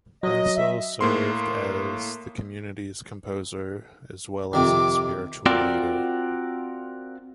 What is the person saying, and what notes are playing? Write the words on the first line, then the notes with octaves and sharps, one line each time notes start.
Beissel served as the community's composer as well as its spiritual leader.
F#3 D#5
E5
A2 A#3 C6
F2 C3 D#3 D6
C4 F4 F#4 A#4 D5